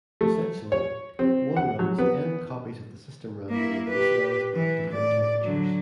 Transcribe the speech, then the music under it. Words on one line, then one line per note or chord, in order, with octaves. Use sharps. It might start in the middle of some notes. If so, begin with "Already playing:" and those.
Essentially, one runs "N" copies of the system, randomly initialized, at different temperatures.
A3
C#5
C4
F#5
F#3
B3
A#3 E4
G4 B4
E3
A2 D5
D3 F#3